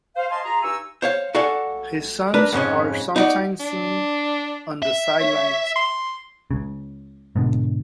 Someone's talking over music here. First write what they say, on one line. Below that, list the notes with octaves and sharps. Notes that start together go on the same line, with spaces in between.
His sons are sometimes seen on the sidelines.
C5 F5
C5 D#5 F5 G#5 A5 C6
F4 G#4 A#5
G2 D#4 G#5 C#6 E6
C5 C#5 F5
F#4 A4 D5 F5 F#5 G#5
D4 A#4 B4
F2 G#2 C#3 C#4
D#4 E4 F#4 D5
D4
E5
C#5
C6
C#2 C#3
G#2 B2 D3